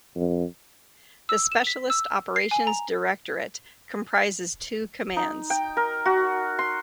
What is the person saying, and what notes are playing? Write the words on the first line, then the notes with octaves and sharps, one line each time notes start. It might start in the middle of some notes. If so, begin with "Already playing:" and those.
The Specialist Operations Directorate comprises two Commands.
F2
E6
E7
B6
E6
C7
G#5
A#5
D#4
G5
A#4
F#4
C6